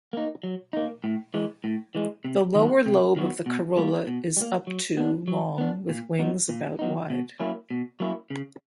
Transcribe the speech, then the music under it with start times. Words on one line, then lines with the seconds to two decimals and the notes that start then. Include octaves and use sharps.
The lower lobe of the corolla is up to long with wings about wide.
0.13 A#3 D#4
0.43 F#3
0.73 A#3 D#4
1.04 A2
1.34 E3 G#3
1.64 A2
1.95 E3 G#3
2.24 C3
2.55 D#3 F#3 B3
2.86 C3
3.16 D#3 F#3 B3
3.46 B2
3.77 G3 A#3
4.07 B2
4.37 G3
4.42 A#3
4.67 F#3
4.97 B3 D4
5.28 F#3
5.58 B3 D4
5.89 A#2
6.19 F#3 B3 D#4
6.49 A#2
6.79 F#3 B3 D#4
7.10 B2
7.40 F#3 A#3 C#4 E4
7.70 B2
8.00 F#3 A#3 C#4 E4
8.30 C#3